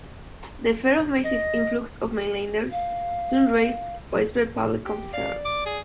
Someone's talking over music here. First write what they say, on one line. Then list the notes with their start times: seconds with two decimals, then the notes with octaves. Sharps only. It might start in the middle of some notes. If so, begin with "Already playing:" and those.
The fear of massive influx of mainlanders soon raised widespread public concern.
1.25 D#5
2.72 F5
4.85 G4
5.13 D5 F5
5.45 D6
5.66 G#4